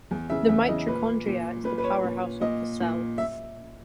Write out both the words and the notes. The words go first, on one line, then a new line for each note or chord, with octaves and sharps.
The mitochondria is the powerhouse of the cell.
E2
C#3 E3 E5
E2 E5
C#3 E3 D#5
A#2 B4
A#2
A#2 B4
B4
C#5
A#2
A#2 D#5
A#2
E5